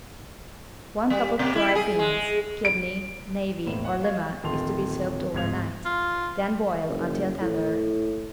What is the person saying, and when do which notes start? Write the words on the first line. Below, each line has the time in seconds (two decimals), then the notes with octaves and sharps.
One cup of dried beans, kidney, navy or lima is to be soaked over night. Then boil until tender.
1.10 G3
1.39 B2
1.55 E4
1.75 G#4
1.99 G#3
2.65 D7
3.66 E1 A2 A#3 C5 E7
3.85 F#5
4.02 F5 C#6 G#6
4.43 D1 D#3 F3 A4 C6 F7
5.33 D1 G#2 G#4 G#6 F7
5.85 F4
6.88 F#1
7.41 A2